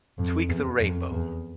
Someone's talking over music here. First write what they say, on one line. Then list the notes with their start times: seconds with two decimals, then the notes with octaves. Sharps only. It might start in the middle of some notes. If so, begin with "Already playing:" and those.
Tweak the Rainbow.
0.18 F2
0.49 E2
0.80 F2
1.11 E2